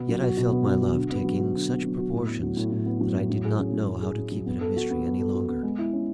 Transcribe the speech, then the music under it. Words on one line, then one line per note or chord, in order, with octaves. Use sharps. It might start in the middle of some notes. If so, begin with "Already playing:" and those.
Yet I felt my love taking such proportions that I did not know how to keep it a mystery any longer.
Already playing: B2 B3
F#3
F#4
B2
B3
F#3
F#4
D3
B3
F#3
F#4
D3
B3
F#3
F#4
A2
B3
F#3
A2
A2
B3
F#3
A2
F#3
G#4
C#4
F#3
F#3
G#4
C#4
F#3
B3
A4
F#4
B3
B3
A4
F#4
B3
G#3
E4
C#4